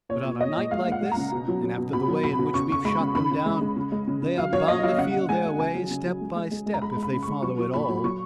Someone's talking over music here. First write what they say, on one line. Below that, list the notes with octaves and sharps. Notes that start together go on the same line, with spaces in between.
But on a night like this, and after the way in which we have shot them down, they are bound to feel their way step by step if they follow at all.
A#2 C#5
A#2
A#2 D#5
A#2
G#3 F5
G#3
F#5
G#3
A#5
C#3
B2
F#3
F#3
B2
B2 B5
F#3
B2 B5
B2
C#3 C#6
C#3 C#6
G#3 B5
C#3
C#3 B5
C#3
G#3
G#3
C#3
G#3
C#3
C#3
F#3 F5
F#3 C#5
A#2 D#5
F#3 F5
C#3 F#5
C#3
G#3 G#5
G#3
C#3 G#5
F#3
C#3
F#3
G#3
G#3
G#3
G#3
A#5
G#3 B5
G#3
B5
C#3
G#3 C#6
F#3 C#6
F#3
A#2 B5
F#3
F#3 C#6